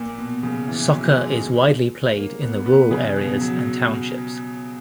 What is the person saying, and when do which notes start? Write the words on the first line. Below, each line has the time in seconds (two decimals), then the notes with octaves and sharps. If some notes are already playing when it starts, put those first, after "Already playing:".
Soccer is widely played in the rural areas and townships.
Already playing: A#2
0.18 B2
0.43 C#3
0.68 E3
0.92 F#3
1.18 G#3
2.17 A#3
2.42 B3
2.66 B3
2.91 C#3
3.16 B2
3.41 F#3